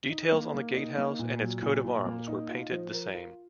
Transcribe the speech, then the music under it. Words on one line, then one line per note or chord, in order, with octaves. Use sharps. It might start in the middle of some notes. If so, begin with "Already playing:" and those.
Details on the gatehouse and its coat of arms were painted the same.
D#4
A#3
A#3
D#4
A#3
A#2
F#3
A#2
A#2
A#3
D#4
F4
F3
A#4
F4